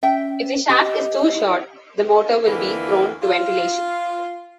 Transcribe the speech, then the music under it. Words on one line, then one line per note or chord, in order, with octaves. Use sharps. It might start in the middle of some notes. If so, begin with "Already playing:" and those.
If the shaft is too short, the motor will be prone to ventilation.
C#4 E5 G5
G4 D#5
F2 D3 E3 A#3
F4